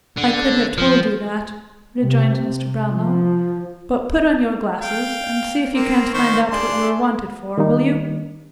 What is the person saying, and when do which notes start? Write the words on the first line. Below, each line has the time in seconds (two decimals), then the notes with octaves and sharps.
'I could have told you that,' rejoined Mr. Brownlow; 'but put on your glasses, and see if you can't find out what you were wanted for, will you?'
0.17 D3
0.78 F3
1.98 C3
2.92 F3
4.81 F5 G5
5.74 A#3 C4
6.14 D#3 C5 C#6
6.51 D4 G#4 C6
7.58 D#3 G3 A#3 D#4